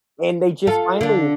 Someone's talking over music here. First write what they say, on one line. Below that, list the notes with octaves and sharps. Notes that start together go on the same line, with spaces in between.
And they just finally
F4 A4
D3 D4